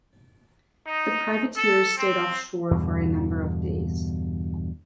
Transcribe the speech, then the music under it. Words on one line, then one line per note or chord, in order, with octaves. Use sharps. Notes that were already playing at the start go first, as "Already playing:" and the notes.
The privateers stayed off shore for a number of days.
D#4
A4
C4
E2 G2 B2 D3